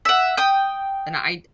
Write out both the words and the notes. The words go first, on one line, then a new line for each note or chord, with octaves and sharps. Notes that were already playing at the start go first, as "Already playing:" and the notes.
and I'd
E5 F#5
G5 D#6